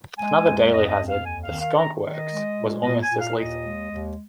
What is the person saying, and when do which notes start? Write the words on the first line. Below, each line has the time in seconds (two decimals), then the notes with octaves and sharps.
Another daily hazard, the Skonk Works, was almost as lethal.
0.18 G#3 G#5
0.44 F2
0.72 F2 D#5
0.88 D#5
0.98 F2
1.07 F5
1.24 D#2 G#5
1.43 F5
1.50 D#3
1.59 F5
1.78 D#3 A#5
2.04 D#3
2.13 D#5
2.31 G#3
2.57 A#2
2.83 A#2 D#5
3.02 G#5
3.10 A#2
3.19 F5
3.36 D#2 D#5
3.64 G#3
3.90 D#2